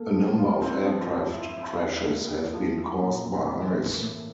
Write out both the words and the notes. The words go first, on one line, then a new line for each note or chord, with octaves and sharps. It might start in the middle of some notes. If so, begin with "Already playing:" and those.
A number of aircraft crashes have been caused by ice.
Already playing: A#3 A4
F3
F4
C4
F3
F3
E4
E4
D5
A#3
G4
F3
E4
A#2
C4
E3
A#3
A2